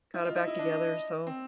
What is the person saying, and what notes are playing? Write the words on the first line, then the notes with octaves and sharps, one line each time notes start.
got it back together, so
E4
F4 D#5
E4
E4
D4
C4